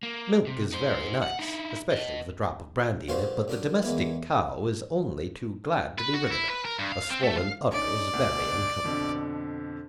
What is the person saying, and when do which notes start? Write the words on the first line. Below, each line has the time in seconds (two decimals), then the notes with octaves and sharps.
"Milk is very nice, especially with a drop of brandy in it, but the domestic cow is only too glad to be rid of it. A swollen udder is very uncomfortable."
0.03 A#3
0.47 C3
0.72 D#4 C5
1.22 F#5
1.39 D#4 E4
1.92 B4 D#5
3.08 G2 A#2 F3 F#4 F5 C6
3.48 F#2 D4 A#4 D#6
3.83 E2 G#3 A#3 B3 E4
5.98 B4
6.14 F#4
6.31 E4
6.50 B4
6.65 A#4
6.79 G2
6.92 F5
7.10 C4
7.23 A3
7.38 F5
7.72 C#4 D#4 D5
8.13 D2 B2
8.84 F2 B2 D3